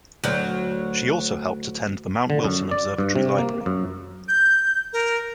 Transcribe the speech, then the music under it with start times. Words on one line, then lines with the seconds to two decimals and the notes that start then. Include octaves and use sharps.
She also helped to tend the Mount Wilson Observatory Library.
0.23 D2 F#3
2.30 D3
2.44 F#2
2.71 D5
2.98 G2
3.15 C3
3.38 A#3
3.66 F#2
4.28 G6
4.93 A#4